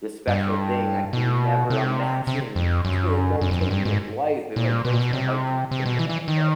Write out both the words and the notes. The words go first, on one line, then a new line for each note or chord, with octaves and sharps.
this special thing I can never imagine and then then taking its life, it, like, breaks my heart to even think about, but
G2
B2
C3
C3
F2
F#2
F#2
F2
F#2
G2
G#2
A#2
B2
A#2
B2
C3
C3
B2
E3
E3
D#3